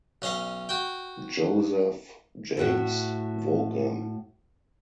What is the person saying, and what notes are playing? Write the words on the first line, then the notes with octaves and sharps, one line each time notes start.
Joseph James Vaughan.
B1 C#4 D#5 F5
F#4 G5
A2 F#4 E5